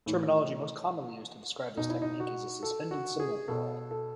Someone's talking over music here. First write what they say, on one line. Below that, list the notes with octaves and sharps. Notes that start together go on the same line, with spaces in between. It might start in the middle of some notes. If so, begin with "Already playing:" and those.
The terminology most commonly used to describe this technique is a suspended cymbal roll.
A2 E3
B2 D#4
E4
D#4
F#4
A4
F#4
G#4
B2 A4
A4